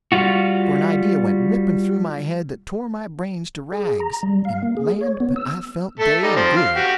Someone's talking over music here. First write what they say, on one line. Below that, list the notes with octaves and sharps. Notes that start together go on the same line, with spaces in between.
For an idea went ripping through my head that tore my brains to rags--and land, but I felt gay and good!
G3 F4 F#4
G#4
A#5
G3
F5
A#3
G#4
C#5
B3
E6
A3 A4
G3 D#4
F3 C4
F5
F#4 G4